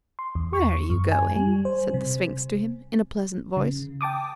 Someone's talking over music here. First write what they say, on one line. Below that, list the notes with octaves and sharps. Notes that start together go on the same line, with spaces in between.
"Where are you going?" said the Sphinx to him, in a pleasant voice.
C6
E2
C#6
F#2
G#5
G3
C5
C3
C#3
G5 A5 D6 D#6